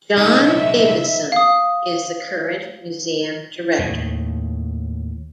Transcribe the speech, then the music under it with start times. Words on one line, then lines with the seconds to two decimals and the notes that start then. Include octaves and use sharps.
John Davison is the current museum director.
0.17 B1 C#3 D#4
0.46 E5
1.32 F5 D#6
3.79 D#2 A2